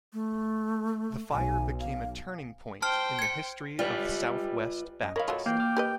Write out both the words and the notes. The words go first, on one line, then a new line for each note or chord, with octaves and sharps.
The fire became a turning point in the history of Southwest Baptist.
A3
B1 G#5
F5
C5 G5 A5 F6
G#6 C#7
G3 F4 B4
F#2 D#5
A#4 C#5 D#5 F5 B5
F#3 A3 F4
E3 A#3 G5 F6
D6 F6
G4 B4 D#5